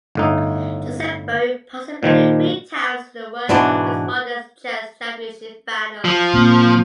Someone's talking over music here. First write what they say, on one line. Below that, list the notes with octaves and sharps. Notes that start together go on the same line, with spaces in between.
Jozef Boey participated three times in the World Correspondence Chess Championship finals.
G1 A2 D#4
A#2 D#3 F3 G3
G#2 B2 E3 D4 F#4
F3
A#2 A#3 C4